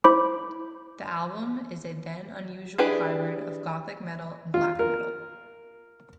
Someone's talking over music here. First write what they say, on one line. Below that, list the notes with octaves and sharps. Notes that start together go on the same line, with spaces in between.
The album is a then-unusual hybrid of gothic metal and black metal.
E4 C5 B5 D6
D4 E4 G4 G#4 B4
F4
A#4